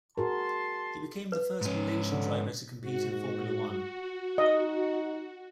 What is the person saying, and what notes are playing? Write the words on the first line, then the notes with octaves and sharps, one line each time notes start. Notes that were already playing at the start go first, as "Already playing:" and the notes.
He became the first Malaysian driver to compete in Formula One.
F#4 G#4 A#4 A5 C6
B4
G#2 C#4
D3
G#2 F#4
D#4 D#5